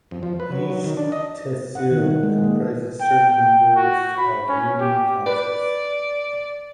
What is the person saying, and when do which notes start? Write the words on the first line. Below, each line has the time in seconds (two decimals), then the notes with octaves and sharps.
Each Tehsil comprises certain numbers of union councils.
0.11 F2
0.23 F3
0.40 B4
0.52 F#3
0.70 F#3
0.84 D#3
0.97 D4
1.12 D#5
1.75 F#5
1.91 D#3
2.04 G3
2.23 G#3
2.44 A#3
3.01 G5
3.30 G5
3.76 F#4
4.18 B5
4.49 C#4
4.80 G4
5.26 B4 D5